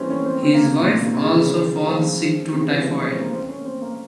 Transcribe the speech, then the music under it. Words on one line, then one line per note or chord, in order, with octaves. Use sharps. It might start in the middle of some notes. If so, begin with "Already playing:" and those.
His wife also falls sick to Typhoid.
Already playing: E3 G3 C4 C#4
C#4
C4
C4
A#3
C3
A#2
A#2
C3
C#3
C#3
F3
C3
C#3
E3
F3
G3
G#3
C#4
C4
A#3
C4
C#4
C4
A#3